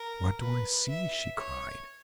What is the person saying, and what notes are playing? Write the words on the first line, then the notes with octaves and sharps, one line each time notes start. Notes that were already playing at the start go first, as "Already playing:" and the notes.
"What do I see?" she cried.
Already playing: A#4
B4
E5
C#5